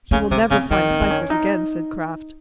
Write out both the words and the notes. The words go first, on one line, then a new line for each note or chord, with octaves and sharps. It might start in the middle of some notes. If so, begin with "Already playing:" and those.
"He will never find Cypher's again," said Kraft.
C#3 C#4
C3 D#3
C#3 C4
D#3 C4
C4
C4
C#4
D#4